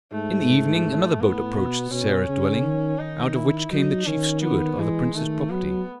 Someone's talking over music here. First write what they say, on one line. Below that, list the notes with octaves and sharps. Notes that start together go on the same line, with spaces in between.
In the evening another boat approached Sarah's dwelling, out of which came the chief steward of the prince's property.
G#2 A3
A2 B3
B2
B2 C#4
C#3
D#3
D#3 D#4
E4
F#3 D#4
D#3 C#4
B3
E3 G#3
D#3 A3
F#3 B3